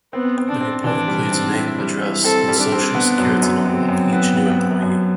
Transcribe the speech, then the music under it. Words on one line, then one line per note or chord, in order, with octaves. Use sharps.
The report includes name, address and Social Security number of each new employee.
B3 C4
C4
D4
C4
E3 D4
G3
C4
E4
G3
E4
C4 A4
G3
D4
C4
B3
F#2
F#2
F#2 C4
F#2
B3
B3
B3
F#2